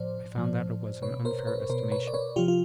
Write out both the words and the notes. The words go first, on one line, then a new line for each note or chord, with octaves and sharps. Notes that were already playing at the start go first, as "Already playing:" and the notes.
I found that it was an unfair estimation.
Already playing: A2 F3 C5 D5
A2 F3
B2 B4 C#5
A#4 C5
B4 C#5
B2 A#4 C5
B4 C#5
D5
B4 C#5
C3 F3 F4 G4
F4